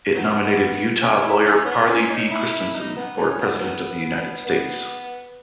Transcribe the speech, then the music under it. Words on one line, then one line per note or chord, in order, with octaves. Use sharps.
It nominated Utah lawyer Parley P. Christensen for President of the United States.
D#3 F#3 B3
C#4
E4
E3 A3 C#4
B3
C#4
D#4
E4
E4
D#4
B3
E3 A3 C#4
B3
D#3 F#3 B3
B3
B3